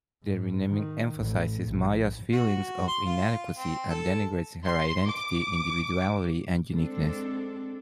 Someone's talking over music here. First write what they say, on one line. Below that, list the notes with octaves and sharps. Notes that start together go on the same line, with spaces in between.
The renaming emphasizes Maya's feelings of inadequacy and denigrates her identity, individuality, and uniqueness.
G#2
D#3
A1
A#1
F#4
C6
F4
C4
A4
C6
D6
G#3 C4 D4 A4